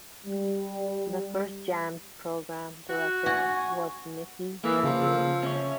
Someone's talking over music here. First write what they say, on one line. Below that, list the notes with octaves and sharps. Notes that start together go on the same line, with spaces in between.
The first Jamz program director was Mickey Johnson.
G3
F#4
F#4 G#5
E3 A#3 A4 D#6 E6
C#3 F3
C#4 C#5 E5